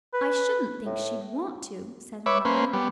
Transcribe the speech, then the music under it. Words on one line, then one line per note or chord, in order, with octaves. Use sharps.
"I shouldn't think she'd want to," said her mother.
B4
A2
B4 C#5 E5 D6
A#3 C#4 B4 C5
G3 B3